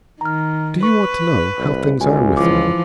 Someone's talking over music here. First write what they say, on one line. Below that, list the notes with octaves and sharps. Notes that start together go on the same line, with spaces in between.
"Do you want to know--how things are with me?"
D#3 A#5 F6
B4 C#6
C2
C#2 F#4 G#5
E3 F3 D6